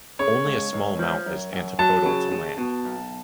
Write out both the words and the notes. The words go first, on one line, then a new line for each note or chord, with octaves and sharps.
Only a small amount is antipodal to land.
C#3 C#5
C#2
C#2
F3
F#2
F#2
F#3 A5
C#3
C#3
B2
B1